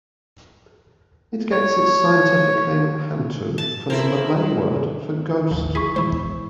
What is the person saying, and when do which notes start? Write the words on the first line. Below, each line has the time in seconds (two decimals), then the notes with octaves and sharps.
It gets its scientific name "hantu" from the Malay word for ghost.
1.51 C#5
3.58 A5
3.90 E4 A#4 C5
5.51 A1 D#2 D3 F3
5.75 E4 G#4 C#6 B6
5.96 B2 E3 G#3 E4 C5